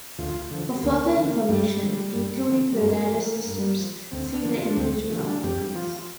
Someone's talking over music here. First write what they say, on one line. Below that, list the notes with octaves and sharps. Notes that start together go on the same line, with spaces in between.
For further information, including the rarer systems, see the individual articles.
D2 F4
D3 F3
D2 A#3
A#3
D3 F3
A#3
G2 G3
D3 F3
G2
D3 F3
G3
G2 A#3
F3
G2
F3
D2 C4
D4
D3 F3
F4
D4
D2 C4
D3 F3
D4
F2 G4
F3 F4